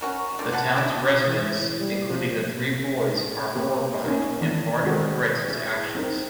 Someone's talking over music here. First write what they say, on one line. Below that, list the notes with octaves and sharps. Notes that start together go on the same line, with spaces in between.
The town's residents, including the three boys, are horrified and Bart regrets his actions.
C#4 F#4 A#4
D3 F3 C4
B4 F#5 A5
G#3 E4 G4
E3
G3
F3
A#3 C4 G4 B4
A#3 C#4 D#4 A#4
D#3 E3 B3 D4
D#3 G#3 C4 F#4 A4 A#4
E4 G#4
C4 D#4 A#4